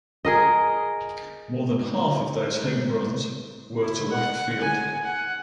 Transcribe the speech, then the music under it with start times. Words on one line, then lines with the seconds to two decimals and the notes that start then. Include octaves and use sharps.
More than half of those home runs were to left-field.
0.25 G#4 A#4 D#5
3.79 E4
4.10 F#5
4.60 G#5
5.04 F#5